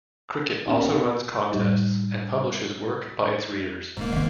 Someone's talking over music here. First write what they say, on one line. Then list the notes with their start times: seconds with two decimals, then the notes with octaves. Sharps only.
"Cricket" also runs contests and publishes work by its readers.
0.66 D#2 B3 C#4
1.52 A2 G3 D#4
3.97 D#1 G#2 A#3
4.12 D#3 C4